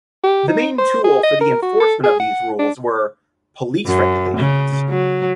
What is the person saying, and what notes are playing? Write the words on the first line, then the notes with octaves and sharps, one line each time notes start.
The main tool for the enforcement of these rules were "police-regulations".
G4
D#4
C5
G#4
D#5
A#4
F#4
A4
G#4
F#5
D4
F#2
C#3
F#3